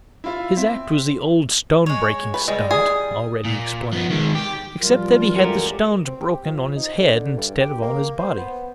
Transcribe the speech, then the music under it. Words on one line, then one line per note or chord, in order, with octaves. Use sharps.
His act was the old stone-breaking stunt, already explained, except that he had the stones broken on his head instead of on his body.
E4 F4 E5
C4 E5
G#3 C#5
B4
G3 G#3
G#4
A#2
F3 B3
D#3 G#3
G4
A1 F3 G3 F4 A#4
C#2 E3 A3 F#4 G4 A#4
C4
G4
F3
D#4
D3
G2
G4
A#3
C5
B3